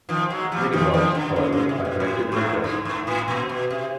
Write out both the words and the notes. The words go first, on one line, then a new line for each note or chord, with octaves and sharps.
Many bugs, however, are corrected and addressed.
D#3 F3
F#3 G#3
F3 G3
D#3 F3
D#3 F3
D3
C#3
C#3
C3
B2
A2
G#2
G2
G#2
A2
A#2
B2
C3